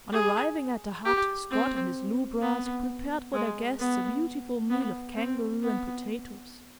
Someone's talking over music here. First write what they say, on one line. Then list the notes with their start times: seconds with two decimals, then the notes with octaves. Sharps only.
On arriving at the hut Scott and his lubras prepared for their guests a beautiful meal of kangaroo and potatoes.
0.12 G#4
1.05 G4
1.50 C4
2.41 B3
3.33 G#3
3.79 B3
4.70 B3
5.16 C4
5.62 B3